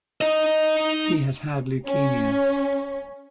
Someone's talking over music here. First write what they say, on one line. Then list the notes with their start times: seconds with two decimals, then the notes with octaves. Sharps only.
He has had leukaemia.
0.21 D#4 D#5
1.87 C#4